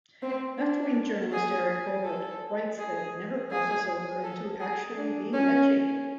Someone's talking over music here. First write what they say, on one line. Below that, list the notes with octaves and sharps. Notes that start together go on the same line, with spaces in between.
Left-wing journalist Eric Boehlert writes that it never crosses over into actually being edgy.
C4
D4
G#4
A4
G#4
G#4
A4
G#4
D4
C#4